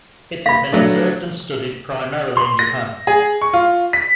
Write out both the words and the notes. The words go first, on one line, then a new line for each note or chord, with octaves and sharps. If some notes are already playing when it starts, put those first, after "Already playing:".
It has been observed and studied primarily in Japan.
F5 B5 A#6
F#3 A3 D4
C6
A#6
G#4
C#6
F4
B6